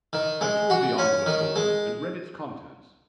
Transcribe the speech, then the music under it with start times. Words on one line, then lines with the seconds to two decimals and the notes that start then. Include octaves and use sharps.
I tore the envelope open and read its contents.
0.13 D#3
0.41 G#3
0.70 F#4
0.98 C#4
1.26 D#3
1.56 G#3